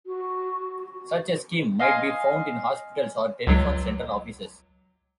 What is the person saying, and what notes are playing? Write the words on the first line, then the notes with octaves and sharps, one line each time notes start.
Such a scheme might be found in hospitals or telephone central offices.
F#4
D#5 F5 G#5 C6
C#2 F#3